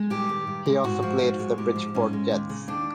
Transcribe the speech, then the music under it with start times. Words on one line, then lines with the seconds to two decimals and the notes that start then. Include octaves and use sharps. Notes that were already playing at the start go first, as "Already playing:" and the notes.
He also played for the Bridgeport Jets.
Already playing: G#3
0.10 G2 G4
0.29 D#3
0.47 G2
0.66 G#3
0.84 G#2 F#4
1.03 F3
1.21 G#2
1.39 G#3
1.58 G#2 G4
1.76 F3
1.95 G#2 C#4
2.13 G#3
2.31 D#2
2.49 C#3
2.68 D#2 D4